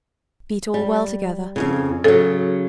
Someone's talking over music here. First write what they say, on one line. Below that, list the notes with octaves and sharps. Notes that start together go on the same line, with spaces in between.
Beat all well together.
G3
F2 G#2 C#3
C#3 F#3 A4